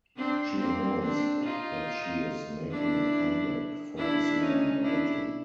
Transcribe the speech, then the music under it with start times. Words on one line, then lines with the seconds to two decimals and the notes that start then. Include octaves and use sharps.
She announced that she is making a comeback, focusing on writing.
0.17 C4 D4
0.59 A#3 C4
1.02 C4 D4
1.44 D#4 F4
2.71 D4 E4
3.97 D4 E4
4.40 C#4 D#4
4.83 D4 E4